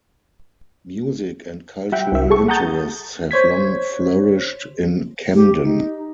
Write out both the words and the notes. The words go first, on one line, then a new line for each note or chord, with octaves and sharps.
Music and cultural interests have long flourished in Camden.
G3 E5 F#5 G5
C2 E5
G#4 A4 C#6
F#5 A5 A#5 D#6 G6 A6
C5 C#5 G#6 B6
G4
D#4